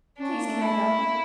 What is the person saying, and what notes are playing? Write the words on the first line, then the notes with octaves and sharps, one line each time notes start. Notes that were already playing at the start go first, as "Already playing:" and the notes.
Please can I go?
C#4 D4
A#3
A3
E4
C#4
A#3